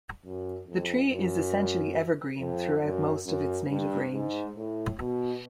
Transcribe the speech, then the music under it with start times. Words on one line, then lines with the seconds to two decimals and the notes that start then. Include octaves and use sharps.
The tree is essentially evergreen throughout most of its native range.
0.25 F#2
0.68 F2
1.11 F#2
2.40 F2
2.84 F#2
3.26 F#2
3.70 G2
4.13 G#2
4.56 A2
5.00 B2